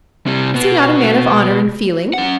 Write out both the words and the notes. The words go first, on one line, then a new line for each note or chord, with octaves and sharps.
Is he not a man of honour and feeling?
C3 G3
B2 B3
C#4 F#5